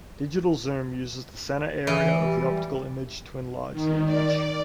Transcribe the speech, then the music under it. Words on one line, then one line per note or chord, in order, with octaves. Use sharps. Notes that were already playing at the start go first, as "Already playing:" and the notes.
Digital zoom use the center area of the optical image to enlarge the image.
E3
G3
D#3
D5